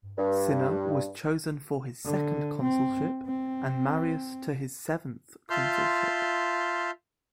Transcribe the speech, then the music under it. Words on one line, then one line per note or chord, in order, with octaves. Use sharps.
Cinna was chosen for his second consulship and Marius to his seventh consulship.
G2
D3
C4
C4
F4 E5 A5 C6 F6 G6